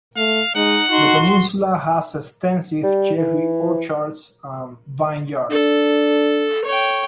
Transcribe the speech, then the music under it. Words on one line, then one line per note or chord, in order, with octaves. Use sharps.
The peninsula has extensive cherry orchards and vineyards.
A3 F5
G#3 D#4 F#5
D#4 F#4 C6
G3
E3
D4 A4
C#5 G5